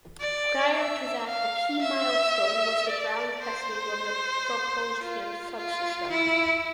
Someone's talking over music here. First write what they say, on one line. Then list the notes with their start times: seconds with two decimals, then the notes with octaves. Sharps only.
Prior to that, a key milestone was the ground testing of the propulsion subsystem.
0.20 D5
0.74 E5
1.28 F5
1.82 E5
2.89 D5
3.42 C5
5.03 F4
5.57 F4
6.11 E4